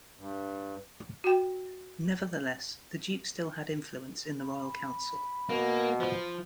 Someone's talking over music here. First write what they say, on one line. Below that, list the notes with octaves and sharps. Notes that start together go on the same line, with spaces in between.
Nevertheless, the Duke still had influence in the Royal Council.
G2
F#4 G5
B5
B2 A#3
F3